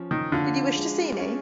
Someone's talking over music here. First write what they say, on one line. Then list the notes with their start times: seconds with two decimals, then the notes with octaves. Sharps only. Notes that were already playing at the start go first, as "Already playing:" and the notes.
Did you wish to see me?
Already playing: F3 C#4
0.11 D#3
0.32 D3 F4
0.76 G#3
1.19 C#4